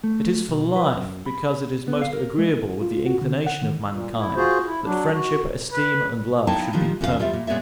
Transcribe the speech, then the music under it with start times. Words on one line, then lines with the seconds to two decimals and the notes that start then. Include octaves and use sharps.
It is for life, because it is most agreeable with the inclination of mankind that friendship, esteem and love should be permanent.
0.04 A3
0.48 B1
0.76 B4
0.96 F#2
1.26 B5
1.88 B3
2.02 F5
2.13 A#4
2.38 G#3
2.81 F4
3.06 F#4
3.21 D3
3.46 F#5
3.63 D#3
3.89 A#2
4.19 E4
4.36 F4 F#4 G#4 C5
4.66 E4
4.85 F#3 D4
5.12 F#4
5.72 B4
6.47 B3 D#4 E4 F5 G5 A5
6.73 D#3 F3 G3 D4 F4
7.01 E2 C#3 F4 F#4 F5
7.20 G3 F4 D5 E5
7.33 A#2
7.47 A#2 G#3 B3 C#5 D5 E5